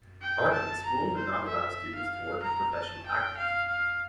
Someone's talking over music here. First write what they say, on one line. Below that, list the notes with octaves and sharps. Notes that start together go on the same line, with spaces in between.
However, the school did not allow students to work as professional actors.
G5
A5
A#5
C5
E5
F5
A#5
A5
G5
F5
F5